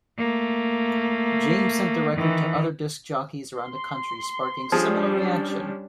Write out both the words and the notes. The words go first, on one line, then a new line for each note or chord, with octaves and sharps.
James sent the record to other disc jockeys around the country sparking similar reaction.
A3 A#3
D#3 E3
C6
F3 G3 C#4 D4 G#4